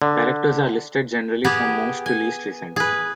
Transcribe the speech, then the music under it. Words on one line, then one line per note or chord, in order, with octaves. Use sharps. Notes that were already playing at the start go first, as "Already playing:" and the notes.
Directors are listed generally from most to least recent.
D3
B3 G4 G#4
G#5
G#4 B4